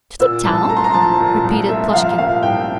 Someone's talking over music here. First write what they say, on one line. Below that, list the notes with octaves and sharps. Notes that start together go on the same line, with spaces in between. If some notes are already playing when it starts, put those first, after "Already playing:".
"To the town?" repeated Plushkin.
A#2 E6
C2 A5
A3 A#5
C6
A#5
F3 A5
A#2
C2
A3 E5
F3 F5
A#2 F5
C2 G5